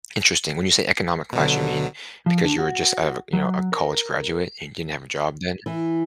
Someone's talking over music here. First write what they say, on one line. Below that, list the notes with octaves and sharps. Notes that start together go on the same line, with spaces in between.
Interesting. When you say economic class, you mean because you were just out of a, you know, a college graduate and didn't have a job then?
B2 D3 F#3
F3
D3
F#4
F#3
A#4
E3